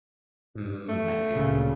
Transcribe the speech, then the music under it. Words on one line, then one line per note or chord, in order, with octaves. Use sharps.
Mm, I see.
A3
D2 A#2 C#3